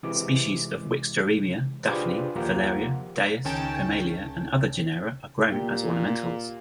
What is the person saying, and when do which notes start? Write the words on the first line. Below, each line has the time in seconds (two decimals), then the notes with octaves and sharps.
Species of "Wikstroemia", "Daphne", "Phaleria", "Dais", "Pimelea" and other genera are grown as ornamentals.
0.03 C3 E3 G#3 D6
1.85 D4 F4 G4 G#4 B4 C5
2.36 D#2 F3 A#3 G4 F#5 A#5
3.45 C#2 D#3 C#4 G5 A5
5.50 A#2 A#3 G4